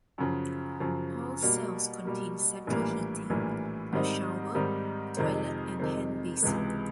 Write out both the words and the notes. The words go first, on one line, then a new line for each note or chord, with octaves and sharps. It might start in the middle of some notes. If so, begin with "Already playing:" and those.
All cells contain central heating, a shower, toilet and hand basin.
F#2 C#3 F3
F#2 C#3 F3
B2 G3 A#3
B2 G3 A#3
A#1 A2 E3 G3 A#3
A#1 A2 E3 G3 A#3
G#2 D#3 G3 C4 D#4
G#2 D#3 G3 C4 D#4
F2 C3 D#3 G#3 C4
F2 C3 D#3 G#3 C4
C#2 C3 E3 G#3